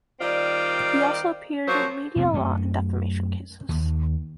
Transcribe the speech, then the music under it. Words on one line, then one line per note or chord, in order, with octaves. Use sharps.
He also appeared in media law and defamation cases.
D#3 G3 C4 F4 D5
F3 F#3 A#3 C5 C#5
F2 C3 B3
F#2 A3
D#2